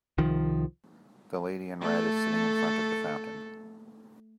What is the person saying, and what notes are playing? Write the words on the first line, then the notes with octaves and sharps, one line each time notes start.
The lady in red is sitting in front of the fountain.
C2 D#3 F3
A3 A4